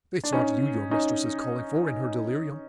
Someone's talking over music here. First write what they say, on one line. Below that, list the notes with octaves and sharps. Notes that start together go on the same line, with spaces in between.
It's not you your mistress is calling for in her delirium.
D4
C#4 D#4
C#4 D#4